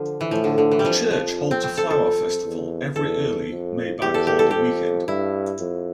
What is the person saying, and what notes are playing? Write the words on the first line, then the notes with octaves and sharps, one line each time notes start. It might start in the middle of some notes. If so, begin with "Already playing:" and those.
The church holds a flower festival every early May Bank Holiday weekend.
Already playing: D3 F3
E3
A2 F3
D3
D3
E3
G3
F2 F3
F3
C4
C4
A4
F2 A4
E2
E2 A4
F2
E2 G4
A4
G4
A4
F2 G4
G2 E4
F2